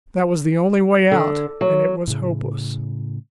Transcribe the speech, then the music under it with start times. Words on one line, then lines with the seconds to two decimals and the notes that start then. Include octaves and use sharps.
That was the only way out--and it was hopeless.
1.11 D3
1.61 F#3
2.07 A2 C#3